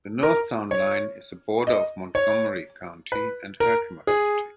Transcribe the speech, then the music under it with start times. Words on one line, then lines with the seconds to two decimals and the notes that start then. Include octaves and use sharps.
The north town line is the border of Montgomery County and Herkimer County.
0.23 A#4
0.71 C#5
1.67 D#5
2.15 C#5
3.12 B4
3.60 A#4
4.07 G#4